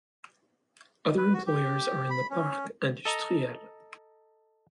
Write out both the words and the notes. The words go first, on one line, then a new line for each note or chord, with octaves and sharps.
Other employers are in the "Parc Industriel".
B4
F#4
G4
B5
C#4
A4 D#5 A#5